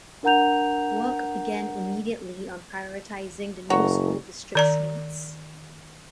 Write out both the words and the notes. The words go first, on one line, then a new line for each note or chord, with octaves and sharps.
Work began immediately on prioritizing the new school district's needs.
D4 A#4 F#5 A#5 G6 F7
F#1 F#4 C#5 A#5
D#3 D5 A#5